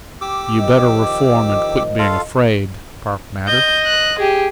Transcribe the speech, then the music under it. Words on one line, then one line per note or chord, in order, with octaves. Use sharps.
"Yuh better reform and quit being afraid," Park bantered.
G4 D6 E6
D#3 F3 D#5
F4 A4 F5
D#5 G6
F#6
G4 G#4